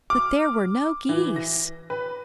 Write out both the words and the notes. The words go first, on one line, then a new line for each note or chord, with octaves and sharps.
But there were no geese!
D6 F6
E3
A#6
B4